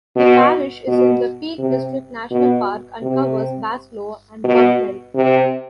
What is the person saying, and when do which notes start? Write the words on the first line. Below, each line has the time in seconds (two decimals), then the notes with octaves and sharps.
The parish is in the Peak District National Park and covers Baslow and Bubnell.
0.16 B2
0.87 B2
1.58 C3
2.31 B2
3.02 C3
4.44 B2
5.15 C3